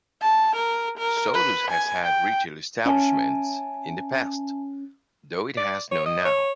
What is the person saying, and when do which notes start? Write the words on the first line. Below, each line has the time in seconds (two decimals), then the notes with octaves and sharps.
Sodus has had retail establishments in the past, though it has none now.
0.22 A5
0.56 A#4
0.98 A#4
1.34 B4
1.71 G#5
2.04 G5
2.86 C#4 E5 G#5 A5
5.57 D5
5.91 C#5
6.06 D#5
6.25 C#5